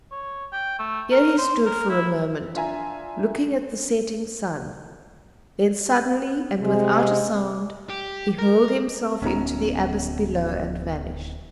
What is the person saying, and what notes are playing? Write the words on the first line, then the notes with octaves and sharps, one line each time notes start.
Here he stood for a moment looking at the setting sun, then suddenly, and without a sound, he hurled himself into the abyss below and vanished.
C#5
G5
A3
A#4
C5
A#4
E4
D4 F4 E5 G#5 A#5
C3 G#3
G4
A#4
D1 B3 C#4 D#4 A#5